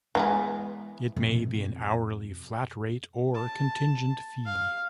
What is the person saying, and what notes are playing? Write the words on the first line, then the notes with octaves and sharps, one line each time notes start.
It may be an hourly, flat-rate or contingent fee.
E3 G#3 B3 G#4
F2 B2
A5
F5